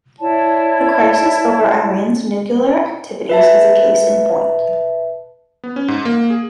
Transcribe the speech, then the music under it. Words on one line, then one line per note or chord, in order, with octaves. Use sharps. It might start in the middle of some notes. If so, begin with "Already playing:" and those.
The crisis over Iran's nuclear activities is a case in point.
E4 C#5 D5 A5
B4 E5 A5
B3
C#4
G#2
A#3
G#4